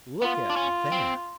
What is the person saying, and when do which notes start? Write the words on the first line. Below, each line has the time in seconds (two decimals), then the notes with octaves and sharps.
"Look at that!"
0.22 B3 F4
0.50 D4
0.56 C#4
0.92 C4